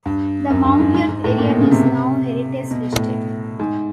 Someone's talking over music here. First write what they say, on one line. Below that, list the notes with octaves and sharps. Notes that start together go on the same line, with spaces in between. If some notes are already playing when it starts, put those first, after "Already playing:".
The Mount York area is now heritage-listed.
G2
F#2
G2
G#2
G#2
G#2
A2
A#2
B2
C#3
C3
B2
A2
G#2